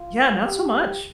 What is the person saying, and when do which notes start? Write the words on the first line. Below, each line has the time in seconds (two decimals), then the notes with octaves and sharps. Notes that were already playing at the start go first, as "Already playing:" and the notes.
yeah, not so much.
Already playing: F4
0.43 G4